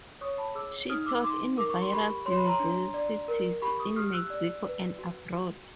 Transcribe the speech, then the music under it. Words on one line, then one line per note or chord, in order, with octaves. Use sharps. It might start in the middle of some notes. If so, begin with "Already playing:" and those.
She taught in various universities in Mexico and abroad.
C#5 C#6 D#6
A5 B5
G#4 D6 E6
D#4 D#6 F6
D6 E6
D#4 C6 D6
A#4 D6
C#6
C6
G4 B5 C#6
C#5 C6
B5
A#5 C6
D4
D5
A#4
G4 B5 C#6
C#6 D#6
G4 D#6 F6
F6
E6 F#6
D5
B4
F#4
F#4